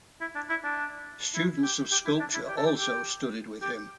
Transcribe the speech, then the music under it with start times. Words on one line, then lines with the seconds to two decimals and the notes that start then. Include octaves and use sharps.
Students of sculpture also studied with him.
0.21 E4
0.36 D4
0.50 E4
0.64 D4
1.35 E4
1.63 G4
1.91 G4
2.06 E4
2.20 D4
2.34 E4
2.48 G4
2.57 A4
2.66 G4
2.77 G4
3.62 G4